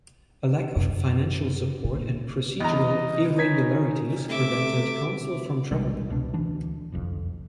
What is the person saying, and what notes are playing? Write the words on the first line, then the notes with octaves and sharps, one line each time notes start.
A lack of financial support and procedural irregularities prevented counsel from traveling.
F#2
A#2
E2 D#5 A#5
C#4 D#4 G#6 B6
C3 A3 E5 D6
B1 C3 G3 G#3
C2 B2 F#3 D4
D2 E3 D4
F#1 C2 F2